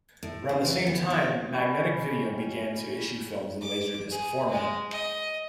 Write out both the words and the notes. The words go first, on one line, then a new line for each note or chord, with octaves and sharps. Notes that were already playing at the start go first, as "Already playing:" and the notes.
Around the same time, Magnetic Video began to issue films in laserdisc format.
A2
C5
E3
B3
E4
B2 G3 C#4 C#5
D6
G#4
G#3
D#5